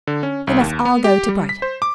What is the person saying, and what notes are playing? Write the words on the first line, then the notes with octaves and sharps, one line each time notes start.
They must all go to Brighton.
D3
C#4
C2
D#2
B3
G4
G3
B6
C5
D6